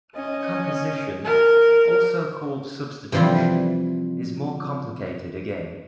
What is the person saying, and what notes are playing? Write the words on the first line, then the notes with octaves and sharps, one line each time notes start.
Composition, also called substitution, is more complicated again.
C#4 D#5
A#4
C3 E3 F3 G3 E4